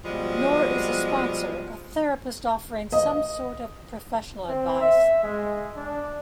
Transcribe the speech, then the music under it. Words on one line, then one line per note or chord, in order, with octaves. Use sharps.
Nor is a sponsor a therapist offering some sort of professional advice.
B2 F3 G3 G#3
D#5
C4
E5
G#3
D4